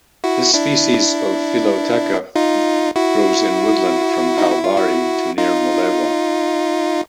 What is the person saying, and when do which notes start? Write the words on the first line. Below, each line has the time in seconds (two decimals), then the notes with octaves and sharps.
This species of philotheca grows in woodland from Kalbarri to near Mullewa.
0.24 E4 F#4
0.54 D4 E4
2.35 D#4 F4
2.96 E4 F#4
4.38 D#4
4.51 E4
4.64 F4
4.77 E4 F#4
5.38 D#4 F4